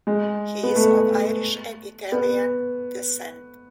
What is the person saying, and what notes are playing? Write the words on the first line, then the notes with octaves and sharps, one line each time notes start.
He is of Irish and Italian descent.
G#3
B3
A3
B3